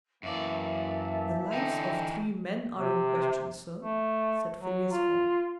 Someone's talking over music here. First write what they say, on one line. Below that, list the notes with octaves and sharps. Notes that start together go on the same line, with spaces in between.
"The lives of three men are in question, sir," said Phileas Fogg.
F#2 E3 A#3 D5 E5 A5
D3 E3 D#4 G5
C3
A3
F#3
F4